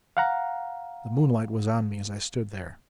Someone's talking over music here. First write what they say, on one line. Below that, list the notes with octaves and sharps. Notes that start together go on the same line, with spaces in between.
The moonlight was on me as I stood there.
F5 F#5 A#5